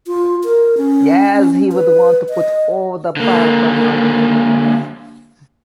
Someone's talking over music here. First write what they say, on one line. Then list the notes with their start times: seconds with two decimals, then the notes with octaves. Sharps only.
Yes, he would want to put all the burden on me.
0.07 F4
0.44 A#4
0.77 C#4
1.72 B4
2.29 D#5
3.17 D3 A#3